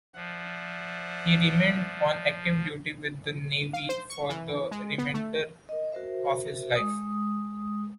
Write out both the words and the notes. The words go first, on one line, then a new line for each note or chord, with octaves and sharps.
He remained on active duty with the Navy for the remainder of his life.
F3 D5 E5 F#5
F5
C5
C#6
E3
G#3
B3
A3
A#4 D#5
F#4 A#4 C5 E5
G#3 D#6